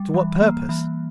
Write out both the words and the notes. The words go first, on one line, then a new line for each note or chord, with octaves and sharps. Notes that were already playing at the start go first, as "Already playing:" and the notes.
To what purpose?
Already playing: G3
E3
A#3
E3